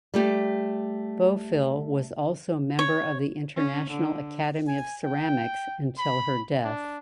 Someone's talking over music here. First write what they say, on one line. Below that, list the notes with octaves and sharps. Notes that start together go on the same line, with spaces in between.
Bofill was also member of the International Academy of Ceramics until her death.
G3 A3 G4
C#5
C#4
D3
G#5
G5
B5
D4